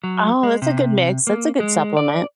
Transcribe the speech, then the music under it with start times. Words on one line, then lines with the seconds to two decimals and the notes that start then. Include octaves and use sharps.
Oh, that's a good mix. That's a good supplement.
0.04 F#3
0.43 G#3
0.62 C3
1.27 A#3
1.60 G#3
1.97 D5